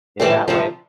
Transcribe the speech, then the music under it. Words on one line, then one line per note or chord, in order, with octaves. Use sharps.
in that way.
A2 E3 G3 C4
D2 C3 F3